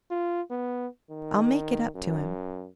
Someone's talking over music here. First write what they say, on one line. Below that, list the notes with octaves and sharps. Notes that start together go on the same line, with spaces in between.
I'll make it up to him.
F4
B3
D#3
F#2